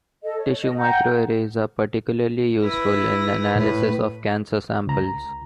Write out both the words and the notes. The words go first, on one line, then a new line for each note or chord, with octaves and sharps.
Tissue microarrays are particularly useful in analysis of cancer samples.
A4 D#5
C#5
D#5
F#5 G5 A#5 G6
E4 B4 A#6
A2 B4
C#2 A#5